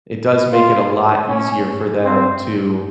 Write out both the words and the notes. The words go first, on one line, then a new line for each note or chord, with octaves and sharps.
it does make it a lot easier for them to
F4
C#4
C4